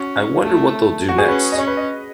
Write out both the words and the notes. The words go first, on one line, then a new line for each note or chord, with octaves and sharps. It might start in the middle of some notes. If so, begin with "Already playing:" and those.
I wonder what they’ll do next!
Already playing: C#4 F#4
A3
F#4
G#4
C#4 B4
D#5
C#4 C#5
B4
D#5